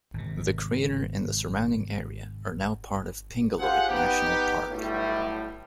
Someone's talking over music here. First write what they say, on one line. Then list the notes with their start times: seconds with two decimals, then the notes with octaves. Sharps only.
The crater and the surrounding area are now part of Pingualuit National Park.
0.14 G#1 C3
3.59 F4 G4 G#4 C5 F5 F#5
3.89 B3 D#4 G4
4.69 B1 A2 G3